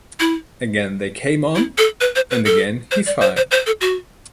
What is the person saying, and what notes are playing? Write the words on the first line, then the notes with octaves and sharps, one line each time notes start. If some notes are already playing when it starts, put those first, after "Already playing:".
Again they came on, and again he fired.
E4
E4
A4
B4
C5
B4
A4
C5
D5
C5
C5
C5
A4
F#4